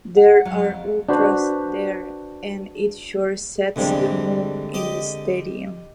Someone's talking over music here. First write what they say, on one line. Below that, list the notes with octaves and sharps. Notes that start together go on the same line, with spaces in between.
There are ultras there and it sure sets the mood in the stadium.
F#5
F#3
F2
D4 F#4 B4 C5
E2 G2 D3 G3 G#3 C4
G4 D#5